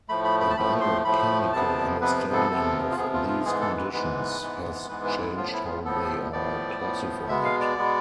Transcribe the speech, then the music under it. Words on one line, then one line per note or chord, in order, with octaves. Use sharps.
A biochemical understanding of these conditions has changed how they are classified.
A2 F3 A3 B5
B5
B5
A5
A2 F3 A3 B5
C6
A2 F3 A3 B5
F2 C3 F3 B3 A5
F2 C3 F3 B3 B4
B4
A4
F2 C3 F3 B3
F4
F2 C3 F3 B3 G#4
F4
F4
G#2 E3 G#3 B3 G#4
A4
B4
G#2 E3 G#3 B3 B4
G#2 E3 G#3 B3
G#2 E3 G#3 B3 B4
B4
E4
A2 F3 B3 F4
E4
G#4
F4
A2 F3 B3 A4
A2 F3 B3 D5
A2 F3 B3
B2 G#3 B3 E5
F5
D5
B2 G#3 B3